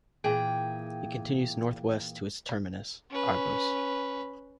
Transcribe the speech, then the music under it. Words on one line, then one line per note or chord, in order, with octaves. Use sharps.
It continues northwest to its terminus, Argos.
A#2 E3 A#3 G#4 G5
C#4 B4